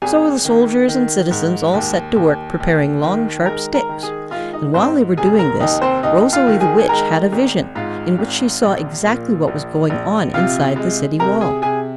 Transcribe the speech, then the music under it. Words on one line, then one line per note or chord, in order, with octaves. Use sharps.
So the soldiers and citizens all set to work preparing long sharp sticks, and while they were doing this Rosalie the Witch had a vision in which she saw exactly what was going on inside the City wall.
G#1 G#4 G#5
D#3
D#3
G#2
D#2
D#2
D#2
D#3
G#3 A#4 A#5
A#4 A#5
D#3
G#4 G#5
G#3 F4 F5
D#4 D#5
G#2 C4 C5
F1 G#4 G#5
A#4 A#5
D#2 D#4 D#5
C4 C5
D#2 D#4 D#5
F4 F5
D#3
G#4 G#5
G#5
G#3 A#4 A#5
G#1
G#2 F4 F5
G#1
A#1
A#2
A#1
A#1
C3 F4 F5
G#3
C3 A#4 A#5
G#4 G#5
C3 G#4 G#5